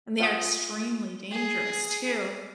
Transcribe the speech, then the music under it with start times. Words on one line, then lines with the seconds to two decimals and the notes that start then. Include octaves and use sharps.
and they are extremely dangerous too,
0.20 F4 C5 F5 F#5 G#5 D#6
1.32 G#4